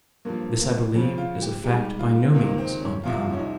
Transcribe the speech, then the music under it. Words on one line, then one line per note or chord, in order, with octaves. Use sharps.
This, I believe, is a fact by no means uncommon.
G2 F3 A#3
A#3
F2 C#3 F3 C4
F4
G4
G#2 G3 G4
F4
C#2 C3 D#3 A#3
A#3
C4
C#4
C2 C3 F3 F4
C#4
D#4